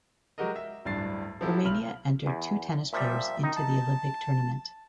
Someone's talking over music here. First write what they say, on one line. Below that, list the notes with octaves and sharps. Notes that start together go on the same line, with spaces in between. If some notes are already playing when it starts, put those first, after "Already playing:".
Romania entered two tennis players into the Olympic tournament.
F#3 G#3 F#4 G4 A#4 D#5
E5
D1 G2 D4 A6 C7
F3 F#3 E4 G4 A4
B1 B5 F6 F#7
E2
A#2 F3 G3 E5
D#3 D#4
A5